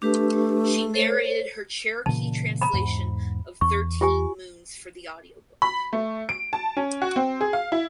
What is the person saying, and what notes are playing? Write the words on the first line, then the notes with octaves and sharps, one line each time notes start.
She narrated her Cherokee translation of "Thirteen Moons" for the audio book.
A3 D4 G4 B4
A4 C5 C#5
A#2 C#3 E3 A5
A#5 B5
E2 G#2
E2 C#6
F4 G4 G#5
B5
A3
D7
A5
C#4
F#4
C4
G#4
F5
E4